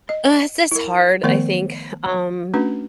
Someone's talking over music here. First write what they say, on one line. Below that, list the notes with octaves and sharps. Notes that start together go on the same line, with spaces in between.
Uh, it's just hard, I think. Um
D#5
E4 A#4
D#3 F3 A3 B3 A#4 C5
A3 C#4 D4 F#4 B4